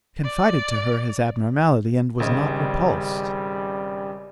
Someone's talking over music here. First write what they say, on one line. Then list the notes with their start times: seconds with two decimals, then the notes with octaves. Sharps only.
He confided to her his abnormality, and was not repulsed.
0.24 D5
2.20 G#1 C#3 G3 D#5